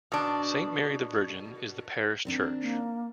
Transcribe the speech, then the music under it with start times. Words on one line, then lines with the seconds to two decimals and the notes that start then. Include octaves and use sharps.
Saint Mary the Virgin is the parish church.
0.12 B2 D4
2.25 D#3 C4 D4
2.62 A#3